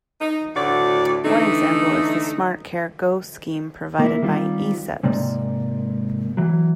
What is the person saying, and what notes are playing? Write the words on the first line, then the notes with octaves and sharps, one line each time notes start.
One example is the "Smartcare go" scheme provided by Ecebs.
D#4
D2 A2 D3 F#4 D5
D3 E3 A3 D#4
A#3 E4
D#3 G3 C4 F4
G#2 C3 G#3 A#3 D5
E3 F#3